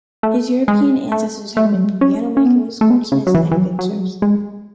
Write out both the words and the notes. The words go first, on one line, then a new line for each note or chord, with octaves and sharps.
His European ancestors had been piano makers, goldsmiths, and vintners.
A3
G#3
A3
A3
G#3
F#3
G#3
C#4
C#4
B3
A3
B3
C#3
F#3
E3
E3
F#3
F#3
G#3
F#3
G#3